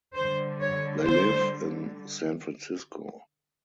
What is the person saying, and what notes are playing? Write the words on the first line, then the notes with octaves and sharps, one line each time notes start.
They live in San Francisco.
D3 G3 C5
C#5
C5